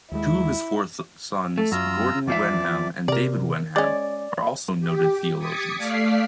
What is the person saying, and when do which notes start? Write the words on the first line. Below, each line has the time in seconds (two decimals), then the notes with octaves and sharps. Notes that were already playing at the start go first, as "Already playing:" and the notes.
Two of his four sons Gordon Wenham and David Wenham are also noted theologians.
0.12 D#2 G#3 E4
1.58 A3
1.72 F#2 F4 A#5 E6
2.27 E2 F3 D5 E5
3.08 C3 A#4 D5
3.76 G#3 C#4 D5
4.80 G4
5.38 D6 D#6 G#6 A6 B6 C#7
5.76 A3 D5 F5 D6 B6 C7